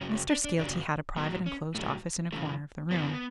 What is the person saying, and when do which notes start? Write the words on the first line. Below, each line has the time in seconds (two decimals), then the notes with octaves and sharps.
Mr. Skeelty had a private enclosed office in a corner of the room.
0.01 F#2 C#3 F#3 C#4
0.15 C#4
0.30 D4
0.44 D4
0.58 F#2 C#3 F#3 D4
1.16 A2 F#3 B3
1.46 C#4
1.75 A2 F#3 A3
2.32 F#2 C#3 E3 A3
2.91 F#2 C#3 E3 B3